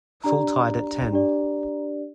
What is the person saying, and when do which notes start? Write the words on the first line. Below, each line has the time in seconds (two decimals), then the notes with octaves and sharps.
Full tide at ten.
0.24 D4 G4 D5 A#5
1.12 D4 G4 D5